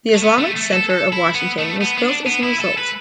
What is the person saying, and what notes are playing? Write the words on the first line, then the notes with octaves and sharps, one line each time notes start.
The Islamic Center of Washington was built as a result.
A3
B3
A3
A3
A4
A4
E4
B3
A3
B3
B3
D4
B3
E4
A4
B4